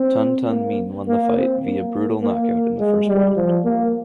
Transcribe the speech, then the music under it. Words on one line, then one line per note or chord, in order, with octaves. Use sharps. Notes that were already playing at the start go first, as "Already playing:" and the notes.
Tun Tun Min won the fight via brutal knockout in the first round.
Already playing: C4
A#3
A#3
C4
A#3
A#3
G#3
G3
F3
A#3